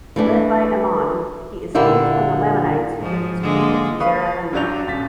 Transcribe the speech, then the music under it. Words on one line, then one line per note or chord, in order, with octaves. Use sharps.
Led by Ammon, he escaped from the Lamanites with his people to Zarahemla.
E3 A3 D4
A#2 D3 A#3 E4 G4
G#2 F3
D3 G#3 A#3
B4 F5 C#6 D#6
G2 F#3 F#4 D5 G6 F7
D#1 C#4 A6 B6